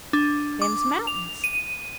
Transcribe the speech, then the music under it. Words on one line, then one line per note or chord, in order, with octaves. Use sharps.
"Them's mountains."
D4
D6
F7
D#7